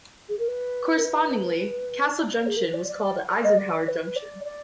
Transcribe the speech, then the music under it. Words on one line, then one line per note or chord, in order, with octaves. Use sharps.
Correspondingly, Castle Junction was called Eisenhower Junction.
G#4
A#4
B4
A#4
B4
D5
G#4
A#4
B4
D5
D5
D5
D5
D#5
D5
B4
D5
D5